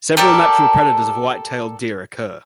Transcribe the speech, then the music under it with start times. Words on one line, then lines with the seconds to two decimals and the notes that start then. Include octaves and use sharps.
Several natural predators of white-tailed deer occur.
0.17 G4 A4 A#4 D5